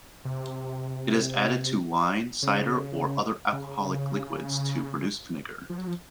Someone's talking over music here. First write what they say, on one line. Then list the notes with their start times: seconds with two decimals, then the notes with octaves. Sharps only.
It is added to wine, cider, or other alcoholic liquids to produce vinegar.
0.25 C3
2.43 C#3
3.52 C#3
5.70 F3
5.78 F#3
5.87 F3